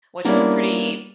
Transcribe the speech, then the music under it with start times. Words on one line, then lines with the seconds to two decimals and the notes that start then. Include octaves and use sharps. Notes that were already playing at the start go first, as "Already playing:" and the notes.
which is a pretty
0.25 G3 A#3 B3 C#4 D4 E4